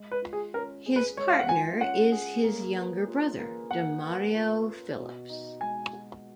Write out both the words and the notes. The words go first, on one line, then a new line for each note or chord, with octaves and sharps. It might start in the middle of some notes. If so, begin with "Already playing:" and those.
His partner is his younger brother Demario Phillips.
Already playing: G#3
B4
F4
G#4
C#4 A#4
G#4
B4
G#3 C#5
F5
F#5
F4 G#5
C#4 F#5
G#4
A#3
B4
F4
A#3
A#3 F#5
B4
F4
A#3
B2
D#4
G#3 G#5
F#4